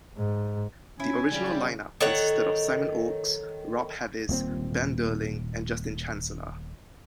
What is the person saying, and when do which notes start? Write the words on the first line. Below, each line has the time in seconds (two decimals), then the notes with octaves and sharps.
The original line-up consisted of Simon Oakes, Rob Havis, Ben Durling and Justin Chancellor.
0.18 G#2
1.00 C#4 E4 G#5
1.32 C#3 G3
2.01 D#3 A4 C#5 F#5
4.29 D#1 A#2 A#3 C4